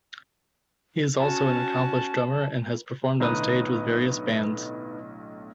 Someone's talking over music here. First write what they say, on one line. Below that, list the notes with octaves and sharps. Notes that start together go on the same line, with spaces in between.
He is also an accomplished drummer and has performed on stage with various bands.
C#4 F#4 A5
B1 A2 D3 D#4 B4 D#6